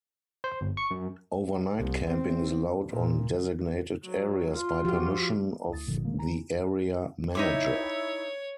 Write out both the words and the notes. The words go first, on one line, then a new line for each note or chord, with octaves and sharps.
Overnight camping is allowed on designated areas by permission of the area manager.
C5
G1
C#6
F#2
C2
C4
A#2
F#3
F4
F3 F#4 G4
D2 E4 D#6 A6
G1 A#2 D3 F3
D#3 G#3 A#3
D#3 G#5 A#5
D#4 E4 C#5 E5 D6